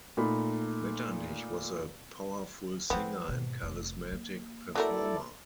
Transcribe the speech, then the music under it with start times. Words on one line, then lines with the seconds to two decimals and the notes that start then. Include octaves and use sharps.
Metternich was a powerful singer and charismatic performer.
0.17 A#2 A3 D#4 B5
2.90 F3 G#3 B3 C4
3.28 G#2 B2
3.63 F1
4.12 A#3
4.75 F#3 A3 E4 A4 A#4 D5